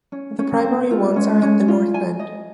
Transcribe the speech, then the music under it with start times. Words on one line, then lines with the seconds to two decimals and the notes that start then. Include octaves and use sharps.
The primary ones are at the north end.
0.12 C#4
0.39 C#4
0.51 C4
0.64 C5
0.90 G#3 F4
1.16 C#4
1.42 C#4
1.68 F4
1.94 G#5
2.19 D#5